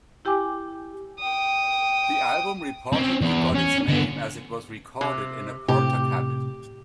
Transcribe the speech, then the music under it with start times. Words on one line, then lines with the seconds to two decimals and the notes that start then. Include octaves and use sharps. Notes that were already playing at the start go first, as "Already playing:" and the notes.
The album reportedly got its name as it was recorded in a Portakabin.
0.25 E4 G4 G5 G#5 D6
1.20 G5 D#6
2.93 C4 C#4
3.21 E2
3.54 C#4
3.88 D3 B3
5.01 C3
5.68 A2 C3 G4